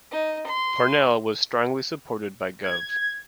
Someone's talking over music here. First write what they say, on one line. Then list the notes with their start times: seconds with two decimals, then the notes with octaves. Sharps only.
Parnell was strongly supported by Gov.
0.12 D#4
0.47 C6
2.63 G#6